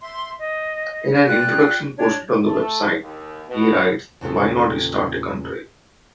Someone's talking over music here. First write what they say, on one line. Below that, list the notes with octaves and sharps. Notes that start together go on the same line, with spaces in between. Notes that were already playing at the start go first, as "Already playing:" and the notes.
In an introduction posted on the website, he writes, Why not start a country?
E5 C6
D#5
F4 D5 G5 F#6
D4 C#5
A3
D#2
B2
E2 A#2 C#3 F4 G4 A4